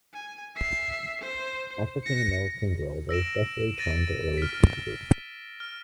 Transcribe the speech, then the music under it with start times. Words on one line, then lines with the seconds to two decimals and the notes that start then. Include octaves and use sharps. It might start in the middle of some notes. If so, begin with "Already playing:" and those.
African-American girls are especially prone to early puberty.
0.14 G#5
0.56 E5 C7
1.21 C5
2.04 A#6 C#7
3.09 E6 A#6 D7 E7
3.78 A6 A#6 D7 D#7
4.38 F6 B6
5.60 F6